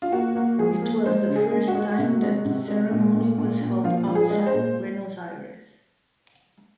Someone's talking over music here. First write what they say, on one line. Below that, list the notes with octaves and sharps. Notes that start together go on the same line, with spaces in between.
It was the first time that the ceremony was held outside Buenos Aires.
F4
A#3 F#4
A#3
F3 G#4
A#3
G#3 C5
C#3
G#4
G#3
F#4
G#3
C3
G#3
C3
G#3
A#2
A#2
A#2
A#2
F3 F4
F3
G#4
G#3
C5
A#2